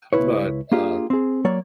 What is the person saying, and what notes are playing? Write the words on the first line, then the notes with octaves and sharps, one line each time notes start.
but, uh
C#2 E4 B4 C#5
A#3 D4 F4 G4 G#4
C4 G#4
F#3 A#3 C#5 D5